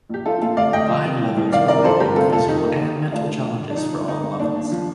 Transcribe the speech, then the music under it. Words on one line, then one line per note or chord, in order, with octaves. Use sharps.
Five levels provide both physical and mental challenges for all levels.
A#1 G4
F3 F4 A4
A#2 F4 A4
D2 D5 F5
D2 D#5 G5
F3
C3
C2
C2
D#3 D5 F5
C3 A#4 D5
F3 A4 C5
G1 G4 A#4
C3 F4 A4
F2 F4 A4
D#3 D#4 G4
D#2
D#2
D#3
D2 D4 F4
D2
F3
D3
D4
F3 D#4
G1
D3 D#4
G2
D#2 D4
D#2
F3